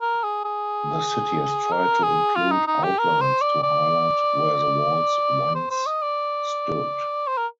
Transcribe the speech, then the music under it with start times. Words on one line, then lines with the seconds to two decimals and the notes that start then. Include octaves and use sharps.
The city has tried to include outlines to highlight where the walls once stood.
0.01 A#4
0.23 G#4
0.45 G#4
1.72 A#4
2.03 G#4
2.36 F4
2.51 D#4
2.67 D#4
2.83 G4
2.99 A#4
3.21 C5
3.41 D5
3.63 D5
5.55 C5
5.71 C5
5.86 D#5
6.02 D5
7.27 C5
7.37 A#4